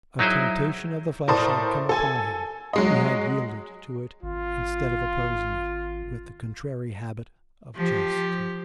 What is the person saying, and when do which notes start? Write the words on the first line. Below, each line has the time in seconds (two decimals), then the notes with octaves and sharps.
A temptation of the flesh had come upon him; he had yielded to it instead of opposing it with the contrary habit of chastity.
0.19 F#3 D#4 E4 G#4 C5
1.28 A2 A#4 C5 D5 A5 D#6
1.89 A4 G#5
2.73 F#3 G#3 D#5
4.22 G#1 F4
7.75 F3 G4